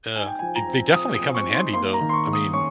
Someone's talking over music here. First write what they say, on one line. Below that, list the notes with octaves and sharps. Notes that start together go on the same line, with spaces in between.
Uh, they they definitely come in handy though, I mean,
D#4 G#5
G5
G#5
F3
A#5
C4
F3 D#6
D#6
C4
C#6
D#4
C6
A#3 C6
A#5
D#3
C6
C#6
D#3
D#6
C#4 C#6